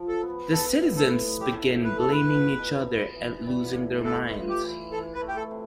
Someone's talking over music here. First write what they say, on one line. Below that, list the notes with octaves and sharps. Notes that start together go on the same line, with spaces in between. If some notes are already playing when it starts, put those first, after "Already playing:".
The citizens begin blaming each other and losing their minds.
Already playing: F3
A4
B3
B3 A4
A2
A4
B3
A2 G4
A2
B4
B3 A4
B4
B2
B2
B2
E3
G3
A2
E3 A4
F4
G4
E3
E3 A4
B4
A3
G4
A4
C3